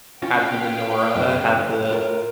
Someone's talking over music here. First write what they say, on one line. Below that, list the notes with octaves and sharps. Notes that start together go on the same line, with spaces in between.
Have the menorah, have the
C#4 F4 F#4 B4 F5 G5
F#2 C#3
F4 A#4